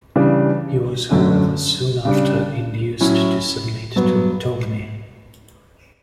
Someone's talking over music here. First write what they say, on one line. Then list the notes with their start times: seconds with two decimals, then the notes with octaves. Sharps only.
He was, however, soon after, induced to submit to Ptolemy.
0.16 C#3 E3 G3 D4
1.11 F#2 D3 A3 C#4
2.05 C#3 G3 D4
3.00 A2 F#3 C#4 E4
3.96 G2 F#3 B3